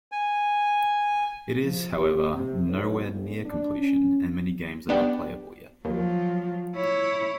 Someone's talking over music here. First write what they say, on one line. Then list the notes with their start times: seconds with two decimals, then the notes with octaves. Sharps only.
It is, however, nowhere near completion and many games are not playable yet.
0.12 G#5
1.62 F3
1.97 G4
2.33 C3
2.67 B1
3.10 G1
3.43 D4
3.77 C#4
4.89 B3 D4 G4
5.85 D#2 F3 F#3
6.76 E4 C#5